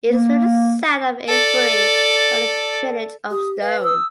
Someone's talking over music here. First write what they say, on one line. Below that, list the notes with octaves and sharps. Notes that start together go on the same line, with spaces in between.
It is to the south of Aylesbury, by the village of Stone.
A#3
A4 D5
G4 D#6
B4 F5
D#6 E6